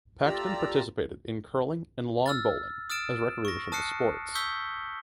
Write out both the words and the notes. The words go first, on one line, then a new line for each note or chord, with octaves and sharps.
Paxton participated in curling and lawn bowling as recreational sports.
A3 F4 G4 D5 A#5 E6
E6 F6 A6
D#6 F6 A6 D7 E7
C#6 A#6
A5 D#6 F6 F#6 C7 C#7
C#6 D#6 E6 G6 B6 G7